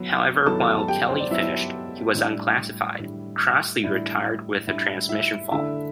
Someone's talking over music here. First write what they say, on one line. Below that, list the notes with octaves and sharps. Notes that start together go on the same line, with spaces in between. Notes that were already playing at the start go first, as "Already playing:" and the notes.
However, while Kelly finished, he was unclassified; Crossley retired with a transmission fault.
Already playing: F#3 B3 E4
F#3 B3 E4 A4 A5
A5
G4 G5
C5
D5
F#3 B3 E4 E5
A2 G3 D4
A2 G3 D4
A2 G3 D4 E4 E5
A2 G3 D4 E4 E5
E4 E5
D3 A3 D4 E4 E5